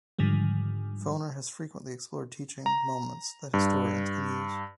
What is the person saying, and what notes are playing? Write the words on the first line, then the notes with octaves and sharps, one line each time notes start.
Foner has frequently explored teaching moments that historians can use.
G#2 D3 D#3 F3 G3
A#5
G2